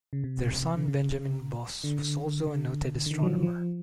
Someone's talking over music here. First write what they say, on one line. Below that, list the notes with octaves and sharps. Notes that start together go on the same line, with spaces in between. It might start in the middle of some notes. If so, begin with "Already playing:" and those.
Their son Benjamin Boss was also a noted astronomer.
C#3
C3
D3
C#3
D3
D3
D3
D3
D#3
F#3
F3
F3